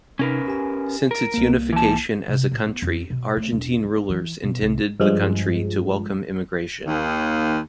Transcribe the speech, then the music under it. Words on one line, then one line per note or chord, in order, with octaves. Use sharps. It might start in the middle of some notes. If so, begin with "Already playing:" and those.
Since its unification as a country, Argentine rulers intended the country to welcome immigration.
C3 C#4 D#4 A#4 B4
G4 G#5
A#4
C2 A#3
E3 A5
C3
A#2
B3
F2
B2
A3
E1
G1
E3
B2
C2
G2 F3 G#3
D#2